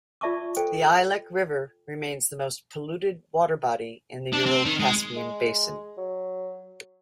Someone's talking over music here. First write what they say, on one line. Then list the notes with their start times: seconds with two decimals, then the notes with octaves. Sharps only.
The Ilek River remains the most polluted water body in the Ural-Caspian basin.
0.21 F4 D5 E5 A5 C#6 D6
0.57 A4 C5 G5
4.33 D4
4.46 C4
4.65 D#3
4.80 G#3
5.17 G#3
5.98 F#3